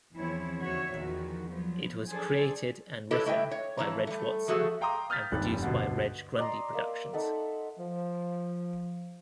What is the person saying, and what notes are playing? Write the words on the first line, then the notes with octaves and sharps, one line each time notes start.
It was created and written by Reg Watson and produced by Reg Grundy Productions.
E2 E3 F3 C4 E4 C#5
D#2 D3 F#4 C#5 E5
E2 A#2 D#3 F3 F#4
F3 F#3 B3
D4 G#4 A4 C5 D5
E4 G4 A4 B4 C#5 D#5
A3 E4 D#5 E5 G5
C#5
F2 E3 C#5 A5 A#5
G3 A3
F3 A3 F#4 G#4 A4 E5
F5 G5 A#5 C6 D6 D#6
D#6 F6 G6 A6 B6
F1 G2 D#3 F#6
D2 G2 B2
D5 D#5 A#5 C6
A#3 E5
D#4 A4 E5 F#5
F3